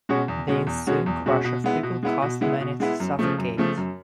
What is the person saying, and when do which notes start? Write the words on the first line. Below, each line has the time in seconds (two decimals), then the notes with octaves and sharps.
The ensuing crush of people caused many to suffocate.
0.09 B2 G#3 C#4 F#4
0.28 E2
0.47 B2 G#3 C#4 F#4
0.67 E2
0.87 B2 G#3 C#4 F#4
1.06 E2
1.26 B2 G#3 C#4 F#4
1.44 B2
1.64 G#3 B3 E4
1.83 B2
2.03 G#3 B3 E4
2.22 B2
2.41 G#3 B3 E4
2.61 B2
2.80 G#3 B3 E4
3.00 F#2
3.19 C#3 F3 A3
3.38 F#2
3.57 C#3 F3 A3
3.77 F#2